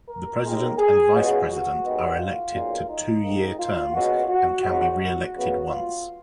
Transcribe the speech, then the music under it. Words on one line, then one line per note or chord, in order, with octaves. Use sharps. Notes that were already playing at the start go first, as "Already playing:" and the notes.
The President and Vice-President are elected to two-year terms and can be re-elected once.
A#4
D#2 D#3 G#3
G#4
C#2 C#3 G#3 B3 F#4
F#4
D#2 D#3 G#3 B3
F4
B1 A#2 G#3
D#4
G#2 D#3 A#3
F4
C#2 B2 A#3 F#4
F#4
G#1 G#2 F#3 F#4
F#2 C#3 F#3 B3
F4